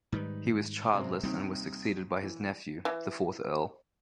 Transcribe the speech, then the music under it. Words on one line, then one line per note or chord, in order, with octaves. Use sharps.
He was childless and was succeeded by his nephew, the fourth Earl.
G#2 D#3 G3 D#4 B4
C3 G#3 C4
D#2 C3 D#3 G3 C4
E3
E3